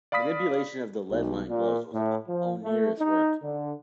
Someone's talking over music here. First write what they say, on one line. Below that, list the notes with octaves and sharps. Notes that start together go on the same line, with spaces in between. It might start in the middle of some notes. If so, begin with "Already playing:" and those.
Manipulation of the lead-lined gloves was onerous work.
D5 F5 B5 D#6 B6
B1
A#2
A2
F3
A3
D#4
D3